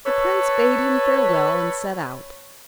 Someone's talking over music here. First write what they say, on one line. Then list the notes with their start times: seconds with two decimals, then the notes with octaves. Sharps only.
The prince bade him farewell and set out.
0.06 A4 B4 C#5